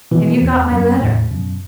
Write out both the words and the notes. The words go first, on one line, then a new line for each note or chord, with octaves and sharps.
Have you got my letter?
B2 E3
E2
F#2
E2 A2
F#2 B2